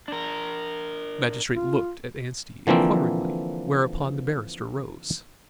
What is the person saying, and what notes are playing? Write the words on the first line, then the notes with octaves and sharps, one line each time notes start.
The magistrate looked at Anstey inquiringly, whereupon the barrister rose.
D4 A#4
F4
D3 E3 F3 A#3 C4